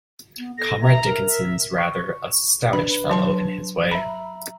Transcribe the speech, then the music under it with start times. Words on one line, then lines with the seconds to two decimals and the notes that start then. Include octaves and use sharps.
Comrade Dickinson's rather a stoutish fellow in his way.
0.38 B3
0.58 A4 A#6
0.82 E5 A#5
1.04 A#4
1.28 E5
1.78 C#6
2.73 D4 B4 B5
3.10 F#3 A5 C6
3.91 E5 A#5 B5